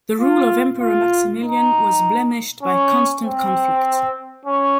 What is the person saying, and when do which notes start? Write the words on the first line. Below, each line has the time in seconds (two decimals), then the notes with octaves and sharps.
The rule of Emperor Maximilian was blemished by constant conflict.
0.21 F4
0.81 F4
1.43 D#4
2.63 C#4
3.24 C4
4.45 C#4